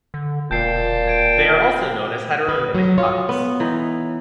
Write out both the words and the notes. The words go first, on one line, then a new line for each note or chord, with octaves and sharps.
They are also known as "heteronymic puns".
D3
E1 A#2 G5 A5 G6 C7
G#6 D7
B4
F#3
F4 C#5
B3
E3 D#4